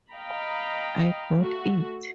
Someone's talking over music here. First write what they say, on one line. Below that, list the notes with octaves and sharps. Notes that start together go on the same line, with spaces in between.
I got it!
D#5 F5 G5 A#5 B5
A3 F#4